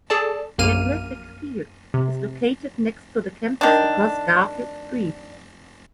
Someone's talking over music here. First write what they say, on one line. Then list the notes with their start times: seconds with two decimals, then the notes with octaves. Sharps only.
The athletic field is located next to the campus across Garfield Street.
0.10 G#4 A4 D5 A5
0.58 A#1 F#2 A#3 F6 D#7
1.94 C3
3.61 D#3 D4